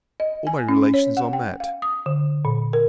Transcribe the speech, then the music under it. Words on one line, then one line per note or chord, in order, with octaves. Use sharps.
All my relations are met.
D#5
G#5
C#4
C#5
F#5
G5
F5
D#6
D3
A#2
A#4